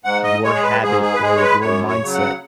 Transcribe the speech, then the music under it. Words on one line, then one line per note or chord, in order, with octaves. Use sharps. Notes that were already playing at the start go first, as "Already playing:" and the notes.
your habit or your mindset
G#2 F#5
D#5
G#3 C#5
G#4
B4
G#2 G#4
G#4
B4
G#3 G#4
C#5
B4
F#2 C#5
C#5
C#3 F#3
F#5